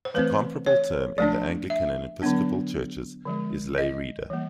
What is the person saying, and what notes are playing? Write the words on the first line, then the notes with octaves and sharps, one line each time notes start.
The comparable term in the Anglican and Episcopal churches is Lay Reader.
C5
E3 A3 C4 B4
C#5
F3 A3 D4 D5
E5
D3 F#3 B3 D4
D3 F3 G#3
D#5
E3 G3 A#3